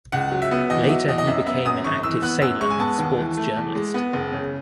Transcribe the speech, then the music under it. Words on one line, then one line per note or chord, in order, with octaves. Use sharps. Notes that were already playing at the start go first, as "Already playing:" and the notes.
Later he became an active sailor and sports journalist.
C#2 F#5
F#3
E5
B3
E2 D#5
F#3 E5
E2 D#5
D#5
F#2 E5
B3 E5
F#2 D#6
G#1 C#6
E3 E6
B3 F#6
F#2 E6
G#3 C#6
G#5
B3 A5
D#2
E3
A3
E2
G#3
B3
F#1
C#3